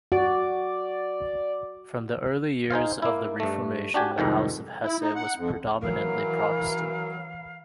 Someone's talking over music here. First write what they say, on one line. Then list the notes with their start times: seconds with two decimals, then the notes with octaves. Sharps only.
From the early years of the Reformation, the House of Hesse was predominately Protestant.
0.12 F#4 D5
2.71 D#4 G#4 C5 F5
3.02 A#3 E4
3.40 G2 A3
3.94 D4 F#4 G4 G#5
4.18 C2 F2 G#2 D#3
4.84 E4
5.00 D#4
5.15 F#5
5.36 F2
5.82 E3 F#3 A#4 F5